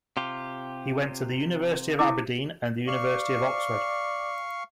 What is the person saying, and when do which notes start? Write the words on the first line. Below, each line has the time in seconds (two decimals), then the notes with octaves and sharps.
He went to the University of Aberdeen and the University of Oxford.
0.17 C3 F4 G4
1.99 E4 D6
2.87 D5 F5 C#6